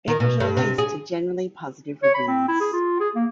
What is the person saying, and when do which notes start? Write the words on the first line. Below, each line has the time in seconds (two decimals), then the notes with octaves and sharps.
It was released to generally positive reviews.
0.08 D#3
0.20 B2
0.40 G2
0.57 C3
0.78 G#4
2.03 C#5
2.14 B5
2.28 C4
2.48 E4
2.61 G#4
2.73 F4
3.00 G#4
3.15 A#3